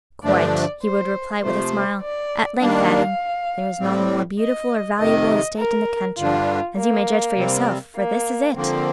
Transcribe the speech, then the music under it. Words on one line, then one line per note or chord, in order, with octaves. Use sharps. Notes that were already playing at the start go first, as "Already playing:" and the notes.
"Quite," he would reply with a smile, at length adding, "There is not a more beautiful or valuable estate in the country; as you may judge for yourself, for this is it."
G2 D3 F3 A3 D4 D5
C5
C3 F3 A3 C5
D5
D#3 G3 A#3 D4 F5
A2 G3 C4
D#5
F2 C3 D#3 D#5
A#4
G2 D3 G3 D4 F4
A#3
C3 G3 C4
A#3
D3 F3 A#3 C4